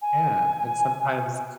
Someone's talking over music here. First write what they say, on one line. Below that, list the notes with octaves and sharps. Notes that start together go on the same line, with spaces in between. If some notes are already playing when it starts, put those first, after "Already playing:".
Yeah, and sometimes
G#5